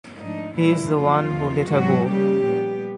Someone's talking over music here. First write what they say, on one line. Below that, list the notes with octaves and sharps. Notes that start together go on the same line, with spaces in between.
He's the one who let her go.
G#2 F3 A3 D4 D#4
A#2 E3 G3 A#3 D4 E4
F#2 C#3 F3 F#3 A#3 F4
E2 C3 D#3
G#2 E3 F#3 G#3 B3 F#4
C#3 F3 G3 A#3 C#4 G4
A#2 G3 B3